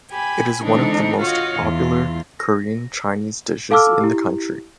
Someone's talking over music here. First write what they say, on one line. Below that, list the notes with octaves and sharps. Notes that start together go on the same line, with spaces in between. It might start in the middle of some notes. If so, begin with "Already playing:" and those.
It is one of the most popular Korean Chinese dishes in the country.
G4 G#5 B5
D3 E3 G#3 C4 D4 D#4
F4 F#4 C#5 D#5 F5
E2 E3 F4
A#6
A4 F5 A5 D6 E6 F6
E4 G4